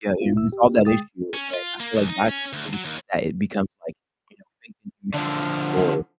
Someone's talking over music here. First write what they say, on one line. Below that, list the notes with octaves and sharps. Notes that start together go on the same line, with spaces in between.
you know, resolve that issue, and I feel like that's the type of stuff that it becomes, like, you know, faith in humanity restored.
B3 D4 E4 F4
D2 A#2 E4 E6
G4
G#3 G5 D#6 A6
C#4
F4
A#3
C#2
D#4
C#4
D2
F#3
D#2
D3 F3